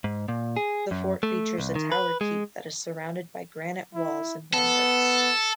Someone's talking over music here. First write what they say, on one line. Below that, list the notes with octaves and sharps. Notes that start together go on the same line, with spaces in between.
The fort features a tower keep that is surrounded by granite walls and ramparts.
G#2
A#2
G#4
F#2
A3
C2
D#3
B4
G#3
E4
B3 A4